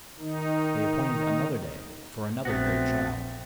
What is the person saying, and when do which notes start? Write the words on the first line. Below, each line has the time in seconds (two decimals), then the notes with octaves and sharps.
They appointed another day, for another great trial.
0.19 D#3 D#4
2.45 A#1 A3 B3 C4 F#4